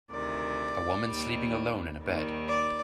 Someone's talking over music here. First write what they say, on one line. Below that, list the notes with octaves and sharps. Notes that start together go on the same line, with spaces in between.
A woman sleeping alone in a bed.
D2 C3 D#3 D5
D#2 D#3 G3
D#2 D#3 G3
D5